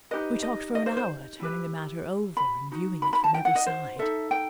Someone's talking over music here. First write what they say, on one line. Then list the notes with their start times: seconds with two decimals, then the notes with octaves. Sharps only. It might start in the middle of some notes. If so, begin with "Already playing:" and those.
We talked for an hour, turning the matter over and viewing it from every side.
0.11 D#4 G4 B4 D#5
0.43 D#5
0.75 D#5
0.86 C5
0.97 C5
1.40 E4 G4 B4
2.37 B5
2.71 D#4 F#4
3.02 B5
3.13 B5
3.24 A5
3.34 G5
3.45 F#5
3.55 D#5
3.66 C5
3.99 D#4 F#4 A4 E5
4.31 G5